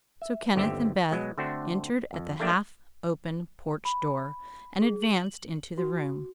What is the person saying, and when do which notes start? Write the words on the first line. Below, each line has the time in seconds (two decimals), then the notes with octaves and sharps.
So Kenneth and Beth entered at the half-open porch door and advanced into the room.
0.22 E5
0.55 G1 D#2 D3 C4 G4 E5
1.11 B2 F#3 G#3 B3
1.38 D3 A3 C4 D4 F#4 C5
2.13 F2
2.40 A3 A#3 D4 G4 D5 E5
3.85 B5
4.82 G#4
5.02 F#7
5.78 F#4